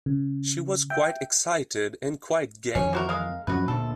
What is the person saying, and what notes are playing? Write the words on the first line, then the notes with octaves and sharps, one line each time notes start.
She was quite excited, and quite gay.
C#3
E5 G5
F2 D#3 E3 C#4
C3 F#4 A#4
G#3 A#4 F5
F#2 F3 C#4 F#4 B4
D2 A#2 D4 A4